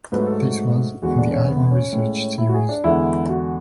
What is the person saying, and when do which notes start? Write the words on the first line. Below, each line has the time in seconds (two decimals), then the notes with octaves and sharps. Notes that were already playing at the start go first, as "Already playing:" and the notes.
This was in the "Eye on Research" series.
0.12 G#2 F#3 A3 B4
0.27 A4
0.42 F#4
1.02 E2 D3 G#3 F#4
1.18 D4
1.32 C#4
1.47 B3
1.71 C#4
1.93 A2
1.98 G#3
2.38 E4
2.48 F#4
2.54 G#4
2.69 D4
2.84 E2 D3 G#3 E4
3.29 F#4